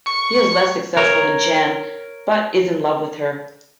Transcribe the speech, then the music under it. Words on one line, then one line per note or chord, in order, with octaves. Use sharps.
He is less successful than Jen, but is in love with her.
C#6
A#4 C#5